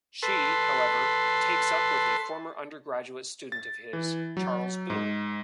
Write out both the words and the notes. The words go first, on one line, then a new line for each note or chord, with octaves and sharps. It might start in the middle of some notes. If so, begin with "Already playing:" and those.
She, however, takes up with a former undergraduate student of his, Charles Boon.
A4 B4 C6
A6
E3
F#3
G#2